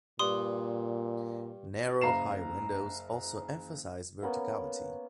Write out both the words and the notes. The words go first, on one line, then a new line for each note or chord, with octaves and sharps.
Narrow high windows also emphasize verticality.
G2 A#2 G3 B4 C6 D#6
F#1 F5 A#5 C7 E7
A#3 B3 C#4